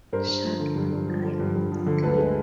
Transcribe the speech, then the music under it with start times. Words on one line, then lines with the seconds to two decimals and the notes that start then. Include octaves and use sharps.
Shut one eye, and don't leave.
0.13 G2 A#4 C5
0.28 G2
0.45 F3
0.60 D3
0.76 G2
0.92 G2
1.08 F3
1.23 D3
1.39 G2
1.55 G2
1.72 F3
1.86 D3
2.02 D2 A4 B4
2.18 G#3